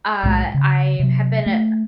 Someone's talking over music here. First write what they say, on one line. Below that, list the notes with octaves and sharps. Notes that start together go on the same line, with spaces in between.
Uh, I've have been a a
B1 A2 G3 G#3
C#3
C3 F#3
A3